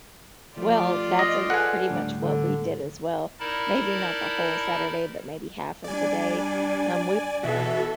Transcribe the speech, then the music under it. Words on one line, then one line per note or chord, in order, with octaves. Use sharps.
Well, that's ex pretty much what we did as well maybe not the whole Saturday, but maybe half of the day um, we
F3 A3 F4 G4 D5
D#5
G#4 A4 B4 F#5 G#5
D2 A2 G3 D4
D3
D#4 E4 A#4 D5 A5 B5
G3 D4 D5 G#5
B2 E3 F#4 A4 E5